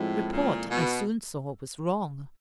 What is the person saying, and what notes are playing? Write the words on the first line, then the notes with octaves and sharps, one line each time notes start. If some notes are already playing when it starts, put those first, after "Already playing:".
Report, I soon saw, was wrong.
Already playing: A2 F3 G#3 C4 E4 A4
A#2
B2